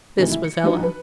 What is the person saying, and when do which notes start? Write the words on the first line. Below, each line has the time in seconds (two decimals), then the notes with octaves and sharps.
This was Ella.
0.18 G#2 C3 D#3 E3 F#3 A3
0.32 E4
0.44 C#7
0.64 E3 F3 D4 D#4 F#4 B4
0.83 B4